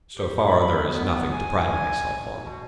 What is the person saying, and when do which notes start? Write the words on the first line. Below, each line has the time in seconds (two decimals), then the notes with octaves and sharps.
So far there is nothing to pride myself on.
0.15 G4
0.48 B5
0.87 B3
1.32 G#5
2.43 B2